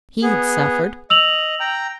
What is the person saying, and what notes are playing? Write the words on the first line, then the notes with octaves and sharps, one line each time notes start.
He had suffered.
B3 G#4
D#5 E6 F7 F#7
G5 A#5